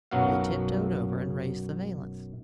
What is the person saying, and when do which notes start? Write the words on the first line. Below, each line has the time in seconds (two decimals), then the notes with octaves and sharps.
They tiptoed over and raised the valance.
0.11 B1 F#2 F#3 B3 F#4 F5